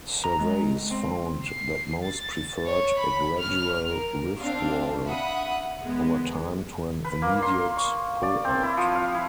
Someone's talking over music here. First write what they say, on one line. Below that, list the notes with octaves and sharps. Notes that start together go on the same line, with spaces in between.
Surveys found that most preferred a gradual withdrawal over time to an immediate pullout.
A#5
G#3
C4
C7
A6
C#5
B5
F6
A#4
C4 D4 F5
E5 F#5 B5 D#6
E2 G#3 B3
B4
A#3
C6
C#6
D5
C4
E4
F3
F5
E4